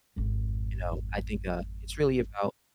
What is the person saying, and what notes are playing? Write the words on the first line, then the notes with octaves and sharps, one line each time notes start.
uh, you know, I think, uh, it's really about,
G#1 F2